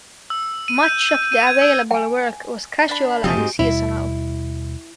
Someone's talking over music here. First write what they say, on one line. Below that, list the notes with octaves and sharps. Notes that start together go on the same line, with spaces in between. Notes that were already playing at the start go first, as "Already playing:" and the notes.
Much of the available work was casual and seasonal.
E6
D#7
G6
D#7
D#7
G#6
E6
G5 G#5
D4 B5
E1 C3 F3 C4 G4 D#5 G#5
G#2 G#3 F#4
D#2 B2 G3 E4